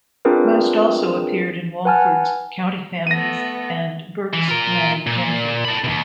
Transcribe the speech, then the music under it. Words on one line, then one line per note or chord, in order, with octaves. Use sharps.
Most also appeared in Walford's "County Families" and Burke's "Landed Gentry".
C4 D4 F4 G#4 A#4 B4
B4 F#5 G#5 A5 F6
A3 B3 A#6 D#7
E3
F4 A#4
A#2
A4 B5
D#2 B2